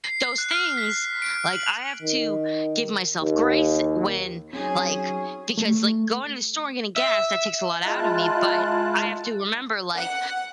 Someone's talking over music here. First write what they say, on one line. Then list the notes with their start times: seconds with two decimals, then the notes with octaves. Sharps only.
those things, like, I have to give myself grace when, like Because, like, going to the store and getting gas, that takes a lot out of me, but I have to remember, like,
0.04 C7
0.38 F#6
0.51 F6
0.77 B6
1.22 D7
1.53 F#7
2.02 D#3
3.20 D#2
4.53 F#3 C4 C#4 D#4 G#4
5.58 A3
6.96 E5
7.85 G#3 E4 F4 A5 F#6
9.94 F#5